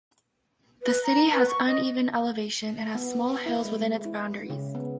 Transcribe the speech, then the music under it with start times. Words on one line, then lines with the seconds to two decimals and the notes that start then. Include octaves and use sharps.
The city has uneven elevation and has small hills within its boundaries.
0.82 B4
1.04 A#5
1.33 B4
1.48 C#6
1.67 D#5
2.95 B3
3.46 E4
3.65 G#3
4.05 E4
4.50 C#3
4.75 B3